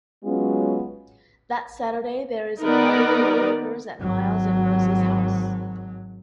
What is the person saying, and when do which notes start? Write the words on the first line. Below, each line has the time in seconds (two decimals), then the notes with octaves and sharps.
That Saturday, there is a party for the workers at Miles and Rosie's house.
0.24 F#3 G#3 B3 C#4 F4
2.62 D#3 B3 D#4 A#4 B4 D5
4.00 G#1 F#3